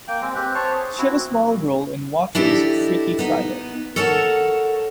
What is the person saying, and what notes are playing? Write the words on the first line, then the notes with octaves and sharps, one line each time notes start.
She had a small role in Waters' "Freaky Friday".
A#3 G5
G#3 C4
C4 G4 B4
C5 C#5 A5 C#6
G#4
C4 E4 F#4
D4 E4 G4 A4 D#5
B3 D#4
A4 A#4 C#5 F#5 G#5 A5